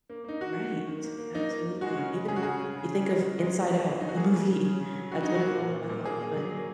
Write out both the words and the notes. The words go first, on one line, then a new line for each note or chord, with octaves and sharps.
Right. Absolutely. Even you think of Inside Out, the movie, that's what it's all about. But
A#3
A#3 D#4
D#3 F#4
D#3
D#3
D#3
A#3
A#3
A#3 D#4
A#3
D#3
G#3 F#4
C#3
G#3
C#3 G#4
F#4
C#3 G#4
C#3
C#3
C#3
G#3
C#3
G#3
G#3
A#3
F#3
F#3 D#4
F#4
A#3 G#4
C#3
C#3
C#3
C#3
F#3
C#3 F#4
F#3 D#4
F#4
A#3
A#2
A#2
A#2
A#3 G#4
A#3
F#3
A#3